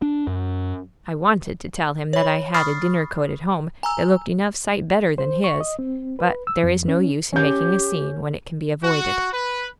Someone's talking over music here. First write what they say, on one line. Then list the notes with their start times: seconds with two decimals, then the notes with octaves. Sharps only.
I wanted to tell him that I had a dinner coat at home that looked enough sight better than his, but there is no use in making a scene when it can be avoided.
0.02 D4
0.27 F#2
2.13 C#5 B5
2.54 B5 C#6 D#6 F6 A6 C7
3.83 G#5 A#5 E6
5.18 C5
5.44 C#6
5.60 D#5
5.79 C4
6.19 B4
6.47 E6
6.63 F2
6.88 C#4
7.32 C#4 G4 G6
8.83 F#4
9.33 B4